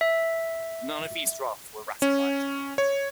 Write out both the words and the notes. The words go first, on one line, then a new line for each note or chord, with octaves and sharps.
None of these drafts were ratified.
E5
C#4
C#5